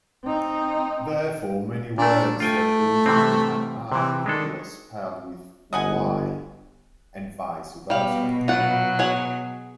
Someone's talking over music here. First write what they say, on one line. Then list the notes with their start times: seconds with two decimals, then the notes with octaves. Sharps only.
Therefore, many words that originally had I were spelled with Y, and vice versa.
0.25 C4 D#4
1.98 A#2 A3 D4
2.40 A3 F4 G5 G#5
3.06 C3 E3 C4
3.92 C3 E3 C4
4.26 D#3 G#3 D4 A4
5.73 G1 D#5 F#5 G#5
7.90 B2 G3 F5
8.48 F#3 F4 F#5
8.99 G#4 C#5 F#5